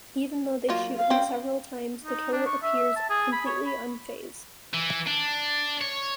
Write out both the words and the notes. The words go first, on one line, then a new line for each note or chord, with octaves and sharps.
Even though they shoot him several times, the killer appears completely unfazed.
F#3 A#3 F4
F5
C4 C#4
D#4
D4
C#6
E5
A5
G#4
B5
C#5
B5
E3
D4
C#5